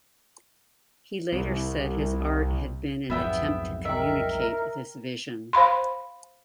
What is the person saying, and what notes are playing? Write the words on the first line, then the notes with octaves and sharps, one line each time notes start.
He later said his art had been an attempt to communicate this vision.
C2
B1 F2 G#2 B3 E5 G5
A#4 D#5 E5 G5
C5 F5 B5 C6